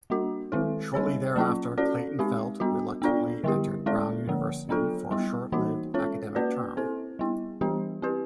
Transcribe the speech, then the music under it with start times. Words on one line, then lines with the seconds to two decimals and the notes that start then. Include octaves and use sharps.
Shortly thereafter, Clayton-Felt reluctantly entered Brown University for a short-lived academic term.
0.10 G3 A#3 D4 F#4
0.52 D#3 G#3 C4 E4 A4
0.94 G3 C4 D#4 G#4 C#5
1.36 F#3 A#3 C#4 F4
1.77 C#4 F#4 A4 D5
2.19 G#3 C4 D#4 G4
2.60 G3 B3 D4 F#4
3.02 B3 D4 F4 A4 D5
3.44 D3 G3 B3 E4 G4
3.86 G#3 C#4 E4 A4 D5
4.28 D3 F3 A#3
4.69 F#3 B3 D4 F4 A4
5.11 G3 B3 E4
5.52 E3 G3 A#3 D#4 F#4
5.94 G#3 C#4 F4 A4 C#5
6.35 A#3 C#4 F#4 B4 D5
6.77 C4 E4 A4 C5
7.19 G3 B3 E4
7.61 E3 G3 B3 D4 G4
8.02 C4 E4 G4 B4